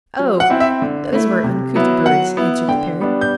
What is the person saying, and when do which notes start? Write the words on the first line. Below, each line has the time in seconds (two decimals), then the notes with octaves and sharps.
"Oh! those were uncouth birds," answered the Parrot.
0.19 F#3
0.40 F#5
0.50 C4 E4
0.60 E5
0.82 D3
1.13 A3 E4
1.44 C3
1.75 F#3 B3 E4
2.06 F#3 F#5
2.37 B3 E4
2.68 D3 G5
3.00 G3 B3 D4
3.21 G6